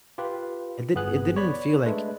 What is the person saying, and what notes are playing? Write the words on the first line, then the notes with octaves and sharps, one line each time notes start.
it did it didn't feel, like,
F4 G4 B4
G1 B3 G#4 F#6
C#5 D5 B5
G#3 A3 D4 B4